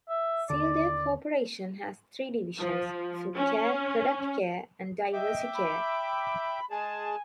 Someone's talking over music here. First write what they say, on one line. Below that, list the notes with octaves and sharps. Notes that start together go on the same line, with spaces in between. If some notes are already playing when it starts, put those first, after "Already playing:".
Sealed Air Corporation has three divisions: Food Care, Product Care, and Diversey Care.
E5
D#2 D3 D5
F3
C#4
D#5 E5 G5 D6
B5
G#3 G#4 G#5 A5